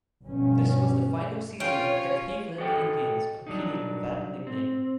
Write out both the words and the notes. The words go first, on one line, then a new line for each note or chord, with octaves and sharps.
This was the final season of the Cleveland Indians competing with that nickname.
G1 G2 B2 F3 C#4
C#4 F4 C#5 G5
F#4 G#4 A4 D#5 G5
F#3 G3 D4 D#4
C4